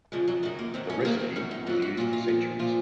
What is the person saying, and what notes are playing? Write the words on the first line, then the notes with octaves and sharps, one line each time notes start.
The recipe was used for centuries.
F2 C#3 F3 G#3
F#3
F#2 D#3 F#3 G#3
A#3
G#2 D#3 F#3 C4
C#4
C4
F2 D#3 F#3 A#3
C4
F#2 D#3 F#3 C#4
D#4
G#2 F#3 F4
F#4
A#2 F#3 F4
F4
A#2 F3
A#2 F3 F4